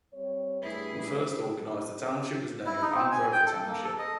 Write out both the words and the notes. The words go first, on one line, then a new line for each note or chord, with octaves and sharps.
When first organized the township was named Androver Township.
G3 C4 C#5
G2 A3 E4 G#4 B4
E4
D#4
C4
G#5
G5
A4
A#3
A4
D#5